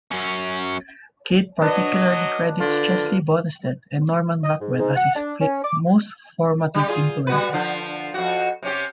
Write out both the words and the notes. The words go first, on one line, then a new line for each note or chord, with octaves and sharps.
Kidd particularly credits Chesley Bonestell and Norman Rockwell as his most formative influences.
F#2 C#4
F#3 D4 B4 D#5
D3 F4
D#5
G#2
G#2
F#5
D4
C#4
D6
G3 G4
F4 G#4
G3 F#4 B4
D3 F3
F2 F#4
C3 C#4 G4